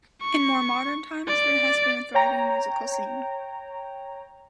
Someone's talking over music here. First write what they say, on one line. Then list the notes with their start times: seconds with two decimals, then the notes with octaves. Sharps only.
In more modern times there has been a thriving musical scene.
0.22 C#6
1.27 D5
2.14 C#5 G5 A#5